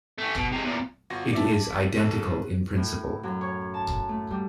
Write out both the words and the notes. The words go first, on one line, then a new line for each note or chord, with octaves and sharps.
It is identical in principle.
A3 C#4
B2
C3 G#3
E2 A#2
G1 F4 F#4 A#6
D5 E5 A5
A#1 A4 F#6
A2
F#2
C#5
A5
A3
G3